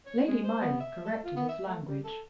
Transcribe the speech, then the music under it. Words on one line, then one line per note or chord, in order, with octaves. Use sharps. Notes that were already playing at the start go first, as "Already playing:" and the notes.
Lady Myrie corrected his language.
C#5
G#3
C5
B3
E5
A4
F4
B3
E5
A3
G3
A4